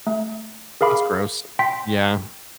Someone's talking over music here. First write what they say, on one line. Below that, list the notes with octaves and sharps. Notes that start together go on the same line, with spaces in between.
That's gross. Yeah.
A3
G#4 A#4 F5 B5 D6
G5 C6 B6